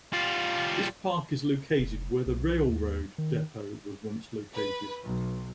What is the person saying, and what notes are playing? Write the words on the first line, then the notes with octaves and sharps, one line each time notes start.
This park is located where the railroad depot was once located.
G3 F4
F1
B1
D#2
D#3
B4
B1